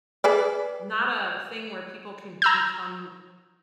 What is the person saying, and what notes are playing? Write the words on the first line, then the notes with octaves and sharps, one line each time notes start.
not a thing where people can become
G#4 B4 D5
A#5 E6 G6